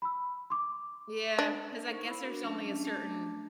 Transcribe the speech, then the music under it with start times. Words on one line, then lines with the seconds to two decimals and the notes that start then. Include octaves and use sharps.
Yeah, 'cause I guess there's only a certain
0.02 B5 E6
0.50 C6 D6
1.39 D4
1.86 A#3 D#4 A#4 C5 C#6
2.05 E4 C5 A#5 B5
2.22 D4 F#4 A#4
2.43 F#3 A#3 C#4 D4 E5 A5
2.85 A3 D4 A5 A#5 D6